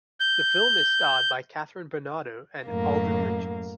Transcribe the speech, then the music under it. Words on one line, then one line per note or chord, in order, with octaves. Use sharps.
The film is starred by Kathryn Bernardo and Alden Richards.
G6
F#2 A2 A#3